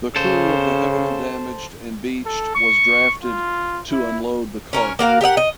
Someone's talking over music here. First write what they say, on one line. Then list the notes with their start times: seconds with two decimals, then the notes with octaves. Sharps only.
The crew of the heavily damaged and beached was drafted to unload the cargo.
0.16 C#3 A4 C5
2.26 A4
2.55 C#6
3.23 F4
3.90 E4
4.73 C#4 A#4 C#5
4.99 A#3 F#4 A#4 F5
5.21 G4 A#4 D#5 F#5
5.37 D#5